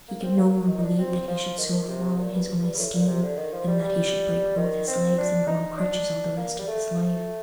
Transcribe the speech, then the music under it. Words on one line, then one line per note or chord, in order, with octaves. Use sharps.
He could no more believe that he should so fall in his own esteem than that he should break both his legs and go on crutches all the rest of his life.
A#3
C4
A#3
D#3
D#4
D4
C4
F3
D#3
C3
A#2
G2
G2
G2
A2
A#2
C3
D3
D#3
F3
G3
G3
D#3
C4
D4
D#4
D4
A#3
G3
A3
A3